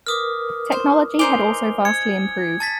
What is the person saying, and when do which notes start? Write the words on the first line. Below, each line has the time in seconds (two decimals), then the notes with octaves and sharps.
Technology had also vastly improved.
0.07 A#4 B4 D6 D#6 F6
0.72 C5
1.19 D#4 C5 D5 G#5 F7 G7
1.85 G#6 C#7
2.60 A5 A6 B6